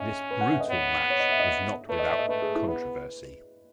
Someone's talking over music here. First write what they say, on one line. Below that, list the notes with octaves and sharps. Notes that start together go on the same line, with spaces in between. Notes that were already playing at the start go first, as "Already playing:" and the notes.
This brutal match was not without controversy.
Already playing: C#4 D#5 E5
B4
F#5
E5
D#5
B3 C#5
C#5
D#5
E5
D#5
A3 B4
D#5
E5
D#5
A3 B4
G#4
E4
B3 B4